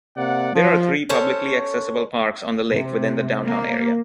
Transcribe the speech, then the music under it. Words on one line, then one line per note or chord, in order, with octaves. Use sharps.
There are three publicly accessible parks on the lake within the downtown area.
C3 A#3 D5 F#5
F3
C#4 A4 C5 C#5
C3
A#3